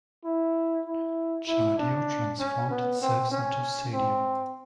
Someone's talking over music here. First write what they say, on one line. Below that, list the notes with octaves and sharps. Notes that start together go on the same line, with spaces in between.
Tchadio transformed itself into Sadio.
E4
E4
E4
D4
C#4
B3
C4
C#4
C4